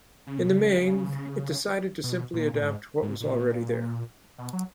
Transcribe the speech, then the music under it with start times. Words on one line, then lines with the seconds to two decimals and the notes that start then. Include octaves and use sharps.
In the main, it decided to simply adapt what was already there.
0.27 C#3
0.38 B2
0.50 C#3
2.04 B2
2.33 A#2
2.54 A#2
2.62 G#2
3.02 G#2
3.21 A#2
4.38 B2
4.53 F#3